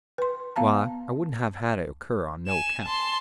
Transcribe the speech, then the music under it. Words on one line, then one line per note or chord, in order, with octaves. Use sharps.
Why, I wouldn't have had it occur on no account.'
B4 C6
B3 F5 A5 A#5
G#5 E7
A5 C6